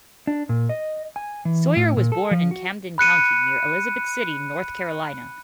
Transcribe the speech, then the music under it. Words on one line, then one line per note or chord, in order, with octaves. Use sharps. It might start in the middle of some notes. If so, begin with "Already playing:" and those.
Sawyer was born in Camden County, near Elizabeth City, North Carolina.
D4
A#2
D#5
G#5
E3
A2
A#2
A4
F3
F#4
B5 F#6 C#7 D#7